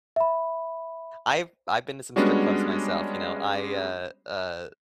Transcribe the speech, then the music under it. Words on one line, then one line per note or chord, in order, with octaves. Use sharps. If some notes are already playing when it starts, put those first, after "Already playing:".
I've I've been to some strip clubs myself. You know? I, uh, uh,
E5 B5
G3 G#3 B3 C#4 D4 F#4